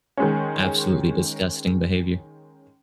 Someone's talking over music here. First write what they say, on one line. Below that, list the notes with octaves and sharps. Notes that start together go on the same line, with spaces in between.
Absolutely disgusting behavior.
D#3 G#3 C#4